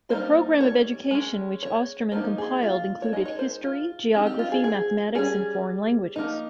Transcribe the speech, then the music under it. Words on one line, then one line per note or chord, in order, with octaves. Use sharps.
The program of education which Ostermann compiled included history, geography, mathematics, and foreign languages.
G3 A#3 D#4 C5
C#5
G#3 C#4
C#5
F3 A#3 D#4 C5
G#4
F4
C#5
G#3 D#4 D#5
C#5
C5
F4
F3 C4 D#4 G4
G4
F4
G#4
G#4
G3 C#4 G#4
F3 A#3 D#4